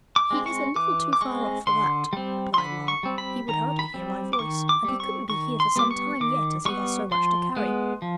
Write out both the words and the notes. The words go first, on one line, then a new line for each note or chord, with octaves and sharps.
'He is a little too far off for that,' replied Long. 'He would hardly hear my voice, and he couldn't be here for some time yet, as he has so much to carry.
D6
G#3 C4
C#6
E3 D6
D6
G#3 C4 C#6
D3 C6
G3 C4
C6
D3 B5
C#6
G3 C4
B5
D#3 A#5
B5
G3 C4
D6
D#3 C#6
D6
G3 C4
C#6
D#3 C#6
C6
G3 B3 D6
C#6
D#3 D6
G3 B3 C#6
F3 C6
G#3 B3
F3